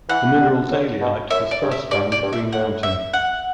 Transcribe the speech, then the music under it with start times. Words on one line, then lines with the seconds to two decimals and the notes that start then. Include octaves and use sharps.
The mineral dalyite was first found at Green Mountain.
0.09 E3 F#5
0.40 G3
0.71 C#3
1.01 B2
1.30 F#2 E5
1.51 D5
1.62 G2
1.71 E5
1.91 G2 D5
2.12 D5
2.22 G2
2.33 E5
2.53 A2 F#5
2.83 E5
3.13 F#5